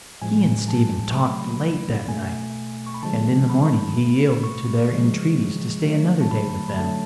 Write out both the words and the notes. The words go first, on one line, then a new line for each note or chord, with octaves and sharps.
He and Stephen talked late that night, and in the morning he yielded to their entreaties to stay another day with them.
A2 F3 G#3 G#5
A5
C#6
C#3 F#3 A3 B5
B2 A3 G#5
C#6
B5
D3 F3 G#3 A5
B5
B2 A3
C#6
C#3 F3 G#3
D3 F#3 A3
A5
B5
B5
D3 F#3 A3 A5